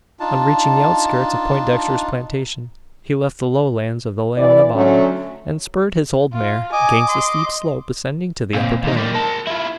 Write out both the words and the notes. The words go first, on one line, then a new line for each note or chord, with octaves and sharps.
On reaching the outskirts of Poindexter's plantation, he left the low lands of the Leona bottom, and spurred his old mare 'gainst the steep slope ascending to the upper plain.
D4 D#4 F4 A5
D2 E3 E4 D5
D3 F#3 A3 C#4
F4
D#5 G#5 D6
C6
A#2 C4
D#2 D#4
G3 A#3
A#4 A5
E4 F4